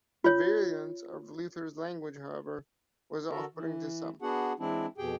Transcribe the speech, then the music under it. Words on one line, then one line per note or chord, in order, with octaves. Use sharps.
The virulence of Luther's language however, was off-putting to some.
F4 C#5
D3 F#4 A4 A#4
E3
B3 D4 F#4 G#4 F#5
E3 G#3 C4 D4 E4
F2 B2 G4 G#4 G5